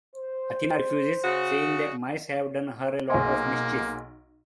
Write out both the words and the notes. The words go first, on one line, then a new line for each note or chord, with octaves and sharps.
Athena refuses, saying that mice have done her a lot of mischief.
C5
C#3 F#4
B1 A#3 G#4 D#5 G#5 C6